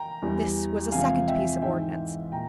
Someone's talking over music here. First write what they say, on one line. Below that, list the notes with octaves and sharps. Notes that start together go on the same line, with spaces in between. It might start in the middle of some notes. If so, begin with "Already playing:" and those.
This was a second piece of ordnance.
Already playing: G5 A#5
E2 E3 G3
E2 C3 F3 G#3 F5 G#5
E5 G5
G#2 E3 G#3 E5 G5
A#2 G5 A#5